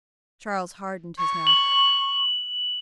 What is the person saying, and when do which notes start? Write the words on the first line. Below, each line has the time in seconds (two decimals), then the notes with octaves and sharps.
Charles hardened his mouth.
1.18 C#6
1.47 F#7